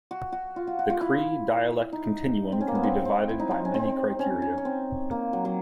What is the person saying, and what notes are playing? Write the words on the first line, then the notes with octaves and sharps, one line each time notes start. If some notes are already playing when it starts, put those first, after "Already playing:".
The Cree dialect continuum can be divided by many criteria.
F#4
F#4
F4
F#4
F#4
F4
E4
D#4
C4
C#4
A#3
B3
C4
C4
E4
D#4
C4
C#4
C4
C#4
C#4
C#4
C4
A#3
F#3
F#3